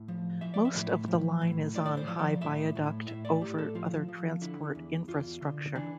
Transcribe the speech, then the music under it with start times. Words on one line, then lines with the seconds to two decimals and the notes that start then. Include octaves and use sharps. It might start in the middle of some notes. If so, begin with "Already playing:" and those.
Most of the line is on high viaduct over other transport infrastructure.
Already playing: A2
0.08 F3
0.41 F3 E5
0.54 D5
0.65 E5
0.74 A2
1.08 F3
1.42 A2
1.75 A2 D5
1.86 D5
1.97 C5
2.08 F3
2.19 D5
2.41 A2 E5
2.75 A2
3.08 A2 E5
3.25 D5
3.41 A2 G4
3.58 A4
3.75 F3 F4
4.08 F3
4.42 D3 E4
4.75 E2
5.08 E2 F4
5.42 D3
5.75 E3 D4